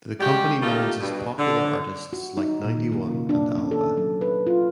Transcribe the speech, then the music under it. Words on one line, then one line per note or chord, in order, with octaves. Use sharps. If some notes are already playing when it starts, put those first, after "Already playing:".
The company manages popular artists like Ninety One and Alba.
G3 G#3 F#4 G4
A3 A#3 D#4 F4 G4
G2 B2
D3
F#4
D#4
A#2
D#3
A#3
C3
D4
C#4
A4
F#3
B4
F4